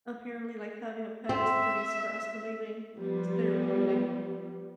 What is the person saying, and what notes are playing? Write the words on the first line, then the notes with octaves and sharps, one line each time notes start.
apparently, like, having a pet is pretty stress relieving. It's therapeutic.
C4 E5
F3 G3 B3